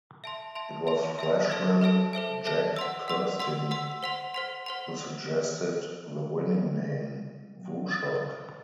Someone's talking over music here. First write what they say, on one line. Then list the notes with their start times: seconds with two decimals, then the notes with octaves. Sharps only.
It was freshman Jack Kersting who suggested the winning name, WuShock.
0.24 E5 A5 C6
0.55 E5 A5 C6
0.87 E5 A5 C6
1.19 E5 A5 C6
1.50 A4 C5 E5 A5
1.81 A4 C5 E5 A5
2.13 A4 C5 E5 A5
2.45 A4 C5 E5 A5
2.76 F#5 C6 E6
3.08 F#5 C6 E6
3.40 F#5 C6 E6
3.71 F#5 C6 E6
4.03 C5 F#5 C6
4.34 C5 F#5 C6
4.66 C5 F#5 C6